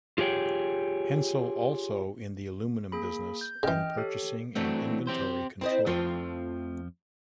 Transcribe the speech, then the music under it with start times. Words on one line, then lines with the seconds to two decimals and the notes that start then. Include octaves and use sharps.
Hensel also in the aluminium business in purchasing and inventory control.
0.18 F4 G4 G#4 C#5 G5
2.92 A#3 G#4 B5
3.41 G6
3.63 C#3 E3 D#5 G5 F6
3.98 G4 A4 C#5
4.56 E3 F#3 A3 C4 D4
5.07 C4 G4 C5
5.61 C4 E4 C5 D#5
5.87 F2 F3 A3 C4 F4